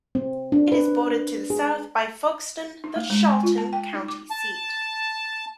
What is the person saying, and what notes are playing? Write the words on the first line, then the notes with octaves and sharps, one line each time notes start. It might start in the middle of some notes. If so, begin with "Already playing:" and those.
It is bordered to the south by Folkston, the Charlton County seat.
C4
D4
B4
G#4
D#4
A3
G#3
G#5
F4
A5
G5
D#4
D6
A5